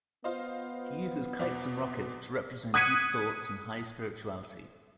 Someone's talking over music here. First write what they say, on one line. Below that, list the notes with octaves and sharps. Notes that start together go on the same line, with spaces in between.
He uses kites and rockets to represent deep thoughts and high spirituality.
B3 F4 C5 D#5
E2 B2 D5
D#6 F#6 G#6 B6 C#7 D#7